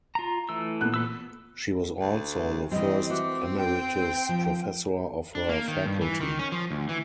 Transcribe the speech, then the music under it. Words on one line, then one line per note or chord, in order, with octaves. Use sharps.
She was also the first emeritus professor of her faculty.
F4 A#5
E3 A3 E6
A#2 B3 F#6
A4 B4 E6
D2
E3 G3 C4 D#5
F#4 B4 E5 D6
G5
F3
D4
A#3
D#3
G2
E3
D#3
C#4
F3
D2
E3